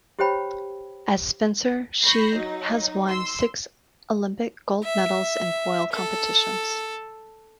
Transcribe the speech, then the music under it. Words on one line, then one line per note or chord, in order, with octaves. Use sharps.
As fencer she has won six Olympic gold medals in foil competitions.
E4 G4 C5 C#5 G5 B5
B5 C#6 G6 A#6 C7
F#3 D#4
C6 E6
E5
A4